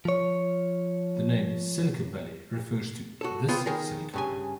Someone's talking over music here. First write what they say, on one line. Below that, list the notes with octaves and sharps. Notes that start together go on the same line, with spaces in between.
The name "Silicon Valley" refers to this silicon.
F3 C#5
F#4 A4
B3 C4 F4 G#4
D#3 G#4 A#4
G2 C#3 G#5